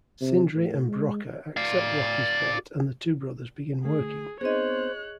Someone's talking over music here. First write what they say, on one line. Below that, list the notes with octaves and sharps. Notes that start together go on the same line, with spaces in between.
Sindri and Brokkr accept Loki's bet and the two brothers begin working.
C3
A2
G#3
D5 F5
D3 A3 G#4
B3 C4 D#4 G#4 C5 C#5 D#5 F#6